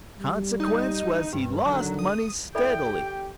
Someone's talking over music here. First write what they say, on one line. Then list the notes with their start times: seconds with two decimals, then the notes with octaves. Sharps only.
Consequence was he lost money steadily.
0.19 G3
0.60 D#4
1.33 G2
1.66 D3 D#3 F#3
1.99 D#6
2.55 E4 A4 D5 G5 B5
2.86 G4